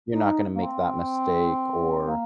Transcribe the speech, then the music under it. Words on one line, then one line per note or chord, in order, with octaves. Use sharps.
you're not gonna make that mistake or
D#4
A#3
C4
A#3